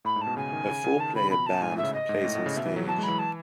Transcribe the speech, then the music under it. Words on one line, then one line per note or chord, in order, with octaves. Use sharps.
A four player band plays on stage.
A2 B5
G#2
A5
B2
C#3 G#5
D#3
C#3
C#3
D#3 A5
C#3 B5
B2 B5
A5
G#2 G#5
A2
E5
C#3
D#5
G#2
A2
A2
C#3
B2 E5
E3
F#3
F#3 A5
G#3
B5
E3
A5